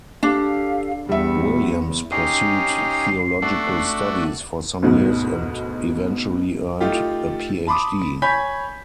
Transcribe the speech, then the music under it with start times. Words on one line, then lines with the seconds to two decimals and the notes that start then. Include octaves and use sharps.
Williams pursued theological studies for some years and eventually earned a PhD.
0.23 D4 G4 A4 F5
1.09 E2 G3 E5 F#5
2.12 C#4 D#4 G4 C7
3.42 A3 D4 F#4
4.82 D2 G#2 B2
6.81 A3 D#4 F4 G4
7.67 A5 B5 C6 D6 D#6
8.22 C#5 G#5 B5 G6 B6